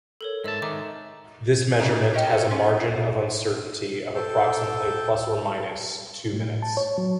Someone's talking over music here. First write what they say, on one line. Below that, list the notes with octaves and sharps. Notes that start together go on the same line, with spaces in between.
This measurement has a margin of uncertainty of approximately plus or minus two minutes.
A4 A#4 C#5
G#2 D#5 E5 A5 E6
D#3 G#3 D#4 E5 D6
C#3 A3 A#3 D#4
G4 A#4 C#5 D#5 F5 G5
A4
C#4 F4
A4 G5
A2
A5
C#5
F#3